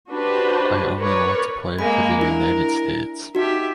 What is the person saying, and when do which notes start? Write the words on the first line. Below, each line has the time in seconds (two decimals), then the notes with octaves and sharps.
I only want to play for the United States.
0.11 D4 F#4 G4 B4 C5
0.99 A#4 B4 C#5 D5
1.79 G#3 A#3 B5
2.21 D4 E4 A#4
3.35 D#4 F#4 G4 E5